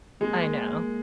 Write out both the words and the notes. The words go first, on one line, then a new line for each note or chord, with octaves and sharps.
I know.
G#3 A#3